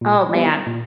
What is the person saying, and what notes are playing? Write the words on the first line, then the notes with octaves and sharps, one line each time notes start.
oh man.
A#2
G3 B3 E4
A#2